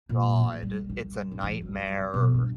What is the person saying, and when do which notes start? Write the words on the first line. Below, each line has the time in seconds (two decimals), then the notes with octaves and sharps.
god, it's a nightmare.
0.09 A#2
0.40 A1
0.62 G3
0.90 D#3
1.31 D1
1.43 E3
1.61 F#3
1.74 F#3
1.97 C2
2.14 B2
2.34 G2